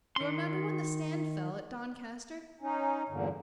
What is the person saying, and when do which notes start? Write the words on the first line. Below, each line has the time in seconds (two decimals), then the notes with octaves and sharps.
You remember when the stand fell at Doncaster?
0.16 D#3 C6
2.61 C#4 D#4
3.09 E2 G2 A#2 D3